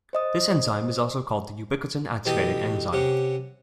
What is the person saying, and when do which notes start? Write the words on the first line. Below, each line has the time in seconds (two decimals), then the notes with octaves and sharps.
This enzyme is also called ubiquitin-activating enzyme.
0.13 C5 D#5 D#6
2.26 B2 E3 G4 A4 G5 D#6
2.93 C3 C#4 G4 F#5